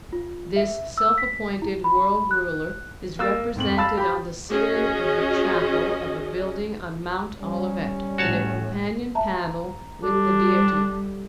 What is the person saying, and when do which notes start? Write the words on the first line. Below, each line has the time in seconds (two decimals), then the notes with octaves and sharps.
This self-appointed world ruler is represented on the ceiling of the chapel of a building on Mount Olivet in a companion panel with the Deity.
0.13 F4
0.56 E5
0.98 E6
1.18 B6
1.62 E4
1.84 B5
2.31 F#6
3.19 A#3 E6 A6
3.56 D1 F2 F#7
3.77 F5 A5 B5 E6 A6 E7
3.97 G4 B5
4.50 C#4 F#4 G#4 D#5
7.40 G3 C#4
8.18 A2 F#4 C#5 A5
9.15 E5 A5 A#5
10.03 G3 D4 G4 A4